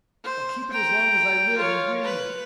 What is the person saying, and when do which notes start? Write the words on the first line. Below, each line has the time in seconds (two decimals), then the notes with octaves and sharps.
"I'll keep it as long as I live and breathe."
0.24 C5
0.72 G5 A#5
1.57 F4 C#5
2.04 B4